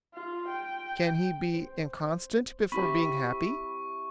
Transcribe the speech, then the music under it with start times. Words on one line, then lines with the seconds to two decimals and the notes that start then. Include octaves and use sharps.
"Can he be inconstant before being happy?"
0.14 F4
0.49 G5
1.54 C5
2.72 C4 E4 G4 B5 C#6